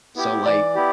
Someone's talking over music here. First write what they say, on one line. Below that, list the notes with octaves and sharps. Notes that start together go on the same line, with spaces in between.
So, like
B3 E4 G4
E3 D5
B3 E4 G4